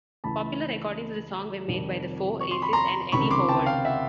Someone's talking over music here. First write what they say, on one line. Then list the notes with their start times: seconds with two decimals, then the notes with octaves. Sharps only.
Popular recordings of the song were made by The Four Aces and Eddy Howard.
0.24 C#2 C#3 E3 A3 A5 B5
1.68 F2 C3 D#3 G3
2.40 C#6
2.51 C6
2.62 B5
2.73 A#5 C6
3.12 C#2 C3 D#3 B5 C#6
3.30 C6 D6
3.48 G5 A5
3.66 F5 G5
3.85 E5 F#5